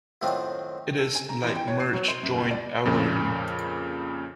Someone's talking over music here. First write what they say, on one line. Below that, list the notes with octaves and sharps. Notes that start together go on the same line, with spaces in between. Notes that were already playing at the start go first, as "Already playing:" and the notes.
It is like merge join algorithm.
F#2 A2 D#3 C4 D4 F4
A4
G#5
A#5
A1
G5
C#5
C7
F#3
C5
F#2
C#2
D5
F2 A#2 C#3